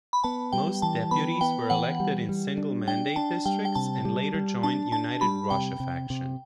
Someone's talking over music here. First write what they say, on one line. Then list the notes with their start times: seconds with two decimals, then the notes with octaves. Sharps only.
Most deputies were elected in single mandate districts and later joined United Russia faction.
0.13 B5
0.24 B3 A5
0.52 G3 G5
0.82 E3 A5
1.11 B3 B5
1.41 B3 G5
1.70 E3 F#5
2.00 G3
2.29 G3
2.58 D4
2.88 D4 G5
3.16 D4 A5
3.45 G3 G5
3.65 G5
3.75 C3 A5
4.05 G3
4.34 G3
4.63 D4 A5
4.92 D4 A5
5.21 G3 B5
5.50 C3 G5
5.80 C3
6.10 C3